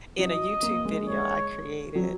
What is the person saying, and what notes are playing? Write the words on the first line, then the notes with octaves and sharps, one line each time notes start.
in a YouTube video I created,
F#3 D#5
A#3
G#3
G#3 C#5
F#3